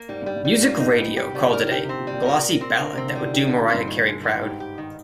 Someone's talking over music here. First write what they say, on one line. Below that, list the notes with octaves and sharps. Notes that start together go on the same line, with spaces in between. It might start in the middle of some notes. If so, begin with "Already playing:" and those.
Music Radio called it a "glossy ballad that would do Mariah Carey proud".
Already playing: A#3
G#2 G3
G2 G3
G2
G#2 G3
A#2 A#3
G#2 D#4
G#2
A#2 G3
G#2 G4
C3 G3
F3
D#3 A#4
D#3
D3 G4
C3 C4
A#2
G3
A#2
A#2 A#4
A#4
C4
D3 A#4
C3 C4
D3
G3
D#3
D#3 G4
D3 G4
A#2
G2 C4
D#3
G#3
G#3
G#2 G4
G4
D#3